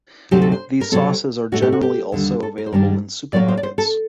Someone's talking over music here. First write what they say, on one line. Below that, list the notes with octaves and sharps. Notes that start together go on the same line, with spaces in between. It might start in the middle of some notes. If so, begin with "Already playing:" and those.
These sauces are generally also available in supermarkets.
D2 C3 F#3 C4 D#4 G4
A4
C5
A#4
C3 F#3 C4 A4
A2 A3 D#4 F#4
G4
F#4
G4
D#2 D3 G3
A4
A#4
C5
G2 D#3 G3 D4 A#4
A2 F#3 A#3 D5
C5
D5
C5
A4